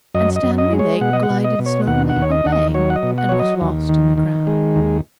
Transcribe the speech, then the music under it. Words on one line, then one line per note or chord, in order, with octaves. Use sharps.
And Stanley Lake glided slowly away, and was lost in the crowd.
F#2 D#5
D#5
F#2
D#5
G#3
C#5
B2 F#5
D#5
F#5
B2
D#5
B2
C#5
D#2 F#5
F#5
D#2
C#5
D#5
D#2 F#5
D#5
F#3 C#5
F#5
D#5
B2
F#5
F#3 C#5
D#5
D#2
D#3
D#3
G#3
D#2